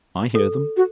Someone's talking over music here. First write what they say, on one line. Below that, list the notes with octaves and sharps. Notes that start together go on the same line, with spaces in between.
I hear them.
A4
F#4